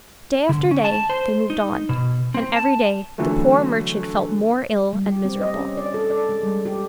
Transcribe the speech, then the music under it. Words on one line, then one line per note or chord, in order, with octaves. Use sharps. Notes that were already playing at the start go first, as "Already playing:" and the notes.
Day after day they moved on, and every day the poor merchant felt more ill and miserable.
D3
C#4
A5
C5
D#4
B2
C4
A5
D3 E3 F#3 A3
G3
G4
C4
D#5
C#4
D5
A4
D5
G#3
G3
G4